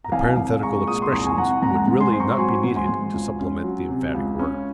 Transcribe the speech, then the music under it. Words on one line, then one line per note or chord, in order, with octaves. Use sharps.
The parenthetical expressions would really not be needed to supplement the emphatic words.
A#5
C2 F5 G#5
C2
G#3 A#5 C#6
A#2 D#6
C6 D#6
C2 A#5 C#6
G#5
C2 F#5 A#5
G#2 F#5 A#5
G#2
G#5 C6
C4 C6
A#5 C#6
F#3 G#5 C6
G#2
G#5 C6
G#2
C#2
C#4
F#3
C3
C#2
C#4